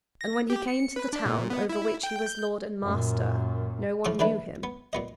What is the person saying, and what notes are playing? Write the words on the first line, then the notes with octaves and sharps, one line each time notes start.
And when he came to the town over which he was lord and master no one knew him.
A#6
G4
C#7
B4
D4
A#2
B3
E4
G5
G6
F#2 A#2
A2 F3 F4 F5 D6
E3 G#3 D4 E4 B4
B3
A#2 B3 D#5